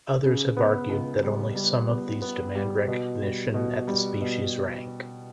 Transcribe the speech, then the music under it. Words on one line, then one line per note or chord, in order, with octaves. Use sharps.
Others have argued that only some of these demand recognition at the species rank.
C#3
B3
C#2
G3
G3
B3
B3
G3
B2
G3
B2
G3
B2